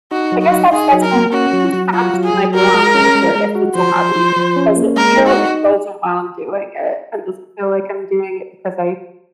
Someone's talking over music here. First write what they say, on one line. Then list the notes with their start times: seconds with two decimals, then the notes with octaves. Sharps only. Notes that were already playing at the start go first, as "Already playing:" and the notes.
I guess that's that's my I think that's my barometer for if it's a hobby, does it feel indulgent while I'm doing it, and does it feel like I'm doing it because I
0.11 D#4 F#4
0.32 F#3
0.42 F#4
0.52 D#4
0.72 D#4 G#4
0.92 F#3
1.02 A#4
1.13 A#3
1.33 C#4 F#4
1.53 F#3
1.73 F#3
1.93 F4 F#4
2.14 F#3
2.24 G#4
2.34 F#3
2.53 F#4 A#4
2.74 G#3
2.95 C#4
3.15 G#3
3.35 G#3
3.55 F#4
3.75 F3 C5
3.96 F3
4.16 F3
4.36 F3
4.56 C#4
4.77 A#3
4.96 G#3 A#4
5.17 D#4
5.26 F#4
5.37 D#4